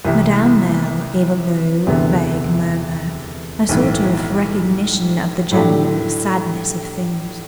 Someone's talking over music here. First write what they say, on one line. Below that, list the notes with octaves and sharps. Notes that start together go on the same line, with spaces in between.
Madame Merle gave a low vague murmur; a sort of recognition of the general sadness of things.
C2 C3 E3
E1 D2 C3 E3 B3
B1 A2 E3
A2 F#3 A3 D4 G4